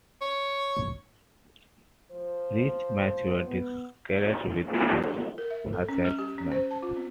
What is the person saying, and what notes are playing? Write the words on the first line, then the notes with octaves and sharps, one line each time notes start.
Ruiz Mateos disagreed with this assessment.
C#5
F3 C5
B3
A#4
E5
A4
C#4
G3
G4
C#4
C5
A5
F4
C4